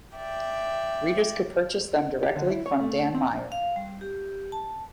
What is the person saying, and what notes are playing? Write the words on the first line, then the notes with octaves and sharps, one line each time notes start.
Readers could purchase them directly from Dan Meyer.
D5 E5 G5
G4
D3
E4
C#5
A3
C4
F5
G3
G4
A5